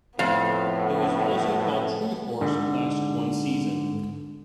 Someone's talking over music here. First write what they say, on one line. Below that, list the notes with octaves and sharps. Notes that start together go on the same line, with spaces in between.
It was also called "Truthhorse" and lasted one season.
F2 A2 B3 F5
G#2 D3